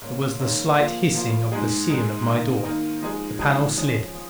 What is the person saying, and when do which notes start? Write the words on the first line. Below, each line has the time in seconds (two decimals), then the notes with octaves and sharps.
There was the slight hissing of the seal of my door. The panel slid.
0.02 G#2 D#3 A#3 C#4
0.39 G#2 D#3 A#3 C#4
0.77 F3 A#3 F4
1.15 F3 A#3 F4
1.52 G#2 G#3 D#4 G#4
1.90 G#2 G#3 D#4 G#4
2.27 D#3 A#3 D#4 A#4
2.64 D#3 A#3 D#4 A#4
3.02 F3 G#3 D#4 G#4
3.39 F3 G#3 D#4 G#4
3.77 F3 C#4 G#4
4.14 F3